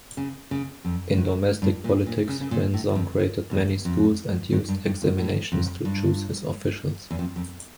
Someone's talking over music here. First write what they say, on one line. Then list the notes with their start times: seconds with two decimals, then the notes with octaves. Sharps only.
In domestic politics, Renzong created many schools and used examinations to choose his officials.
0.17 C#3
0.51 C#3
0.85 F2
1.17 G2
1.62 G2
1.84 A#2
2.06 A#2
2.29 C#3
2.41 C#3
2.51 A#2
2.74 A2
2.95 F2
3.51 E2
3.85 F2
4.52 G2
4.69 G2
4.85 G2
5.02 F2
5.19 A2
5.52 F2
5.85 G2
7.11 E2
7.19 F2
7.36 F2